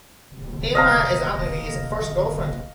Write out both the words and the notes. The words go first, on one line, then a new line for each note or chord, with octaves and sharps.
Emma is Antony's first girlfriend.
D#5 F5 A#5